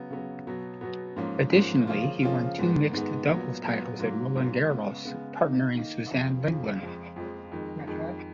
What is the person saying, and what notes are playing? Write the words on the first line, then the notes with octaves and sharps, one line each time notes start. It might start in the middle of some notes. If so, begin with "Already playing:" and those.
Additionally he won two mixed doubles titles at Roland Garros partnering Suzanne Lenglen.
Already playing: C#3 F#3 B3
C#3 F#3 B3
B2 F#3 B3
B2 F#3 B3
G#2 F3 A#3 C#4
G#2 F3 A#3 C#4
C#3 F3 A#3 C#4 F4
C#3 F3 A#3 C#4 F4
G#2 D#3 G#3 B3
G#2 D#3 G#3 B3
A#2 F#3 B3
A#2 F#3 B3
G#2 F#3 A#3
G#2 F#3 A#3
C#3 G#3 B3
C#3 G#3 B3
D#3 A#3 D#4
D#3 A#3 D#4
F2 C#3 F3
F2 C#3 F3
F2 F3 G#3
F2 F3 G#3
F2 D#3 G#3
F2 D#3 G#3